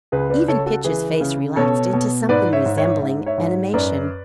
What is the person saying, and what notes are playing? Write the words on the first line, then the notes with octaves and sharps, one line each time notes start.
Even Pitcher's face relaxed into something resembling animation.
C#2 G#4 B4
B4 D5
C#2 A4 C#5
F#4 A4
E3 G#4 B4
C#3
B2 A4 C#5
B2
G#2 B4 D5
C#5 E5
G#2
C#5 E5
G#2 E5
C#5 E5
G#2
F#2 B4 D5